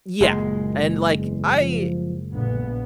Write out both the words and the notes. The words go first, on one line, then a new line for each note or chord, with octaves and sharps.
Yeah. And, like, I
F#1 A#2 G#3
E2
F3
A#1 D3 B3